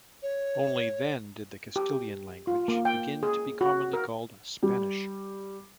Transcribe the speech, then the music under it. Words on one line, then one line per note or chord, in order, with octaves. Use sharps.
Only then did the Castilian language begin to be commonly called Spanish.
C#5
G4
F4
A#3
G5
G#4
F#4
A#4
G3